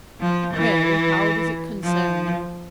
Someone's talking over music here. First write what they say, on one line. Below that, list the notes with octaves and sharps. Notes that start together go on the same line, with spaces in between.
'Pray how does it concern you?
F3
E3
F3